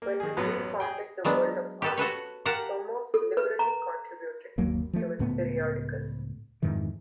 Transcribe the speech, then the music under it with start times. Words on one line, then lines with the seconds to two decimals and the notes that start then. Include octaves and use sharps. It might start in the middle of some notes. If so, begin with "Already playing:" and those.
When the three founded the "World of Art", Somov liberally contributed to its periodicals.
0.02 A#3
0.20 D#3 G#4
0.37 A1 F#2 F#3 B3
0.80 G#4 G5
1.25 F#3 G#3 B3 D4
1.82 G4 A4 B4
1.97 F#4 A4 B4 C#5
2.45 G4 A#4 F5 F#5 A5
3.14 A4
3.37 B4
3.59 A#5
4.58 G1 D#2 F#3 A#3
4.93 F3 A3
5.19 C#2 A2 A3 B3
6.63 F2 G#2 D#3 E3